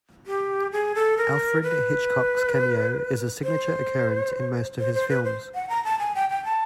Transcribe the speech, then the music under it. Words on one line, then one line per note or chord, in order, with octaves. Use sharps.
Alfred Hitchcock's cameo is a signature occurrence in most of his films.
G4
G#4
A4
A#4
B4
C5
C5
C5
B4
C5
F#5
A#5
A5
G#5
G5
G5
A5